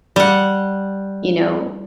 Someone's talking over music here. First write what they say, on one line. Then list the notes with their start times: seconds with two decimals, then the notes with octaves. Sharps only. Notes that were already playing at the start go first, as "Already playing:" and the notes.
you know,
0.16 G3 F#5